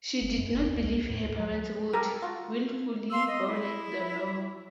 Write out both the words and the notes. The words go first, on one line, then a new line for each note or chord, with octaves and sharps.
She did not believe her parents would willfully violate the law.
F#1
F#2
G#1
D#2
B1
D#2
A2
D2
F#3
G4 A4 A#4
F4 F#4
F5 C6 E6
D#5
E4